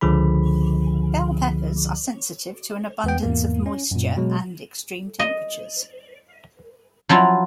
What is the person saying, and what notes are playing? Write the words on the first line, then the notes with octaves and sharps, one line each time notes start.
Bell peppers are sensitive to an abundance of moisture and extreme temperatures.
C#2 D3 F3 G#4 B5
E2 B3 G5
E2 G#2 A#3
C#4
F#2 A#2
B2 F#3 G#3
D#5
F3 F#3 E4 F4